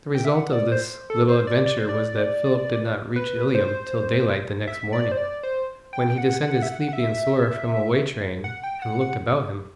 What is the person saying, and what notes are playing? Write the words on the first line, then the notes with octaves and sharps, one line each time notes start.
The result of this little adventure was that Philip did not reach Ilium till daylight the next morning, when he descended sleepy and sore, from a way train, and looked about him.
G5
E5
F#5
D5
C5
A4
C5
D5
D5
C5
D5
B4
C5
E5
D5
C5
D5
C5
G5
G5
F#5
F#5
E5
F#5
F#5
E5
F#5
G5
F#5
F#5